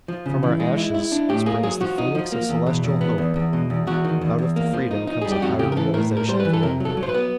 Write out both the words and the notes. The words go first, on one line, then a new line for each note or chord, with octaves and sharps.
From our ashes springs the phoenix of celestial hope, out of the freedom comes a higher realisation of manhood.
F3
C#3
E3
G#3
E4
E4
D4
A2 G4
A#3 G#4
F#3 G#4
F3 F#4
D#4
F3
A#3
E2
B2
E2
B3
E2
E2
B2
E2
E2 F#4
D#3
E2
E2
A#3
F3
D#4
D#4
G3 G#4
G4
F2 F#4
C#3 G4
A#4
E3 A4
A2 A#4
A2
A#4
G3 C5
B4
E3
A4
C3 A#4
F#3
A4
F#3
C5
B4
B3